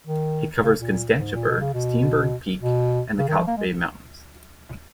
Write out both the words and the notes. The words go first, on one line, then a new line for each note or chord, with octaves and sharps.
It covers Constantiaberg, Steenberg Peak and the Kalk Bay mountains.
D#3
C#3
A#2
G#2
A#2
B2
C#3
B2
B2
C#3
D#3
F3
A#3
G#3